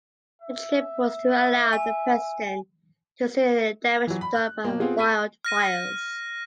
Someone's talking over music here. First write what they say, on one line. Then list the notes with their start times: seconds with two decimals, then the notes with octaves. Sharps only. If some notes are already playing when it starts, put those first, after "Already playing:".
The trip was to allow the president to see the damage done by wildfires.
0.41 E5
1.73 G#5
4.07 E3 F#3
4.21 B5
4.35 F#6
4.64 B2 A#3
4.80 B3 C4 F4 G#4
4.97 B5 B6 D#7
5.45 F6 A#6 D#7